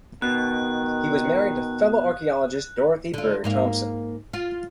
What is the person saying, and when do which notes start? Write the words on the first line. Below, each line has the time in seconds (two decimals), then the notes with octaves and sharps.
He was married to fellow archaeologist Dorothy Burr Thompson.
0.22 B2 D#3 F#6
3.14 D3 F4
3.44 G#2 A#3 F5
4.33 F4